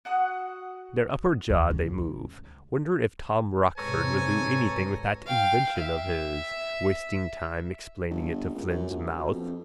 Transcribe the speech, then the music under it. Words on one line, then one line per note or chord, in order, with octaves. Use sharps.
Their upper jaw they move. Wonder if Tom Rochford will do anything with that invention of his? Wasting time explaining it to Flynn's mouth.
F#4 F#5 D#6
D#2
C#2
G#2 C3 A4 B4 C#5 G#5 A#5
F5 G5
E5
G1
C#2
F#2
A#1
B2
F2